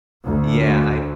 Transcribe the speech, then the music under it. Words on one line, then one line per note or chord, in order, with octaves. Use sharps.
Yeah, I
D2